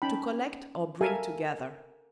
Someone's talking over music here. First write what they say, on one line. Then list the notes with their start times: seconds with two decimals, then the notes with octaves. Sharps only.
To collect or bring together.
0.02 C#4 D#4 G5 A5 B5
1.01 A4 A#4 E5 F5 G#5